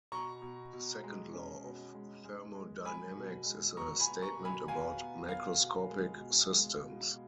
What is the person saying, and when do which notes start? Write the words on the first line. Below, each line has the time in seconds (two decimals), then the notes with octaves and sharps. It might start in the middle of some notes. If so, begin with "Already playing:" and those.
The second law of thermodynamics is a statement about macroscopic systems.
0.12 B2 A#5 C#6
0.42 B2
0.73 B2
1.04 G#3
1.33 C#4
1.64 B2
1.95 G#3
2.25 G#3
2.55 G#3
2.85 G#3 G#5 B5
3.16 B2
3.46 G#3
3.77 B2 A#5 C#6
4.00 G#5 B5
4.07 B3
4.22 A#5 C#6
4.38 B2
4.45 G#5 B5
4.68 B3 F5 G#5
4.99 B3
5.29 B3 F5
5.59 B2
5.90 G#3
6.20 B2
6.50 G#3
6.80 B2
7.11 B2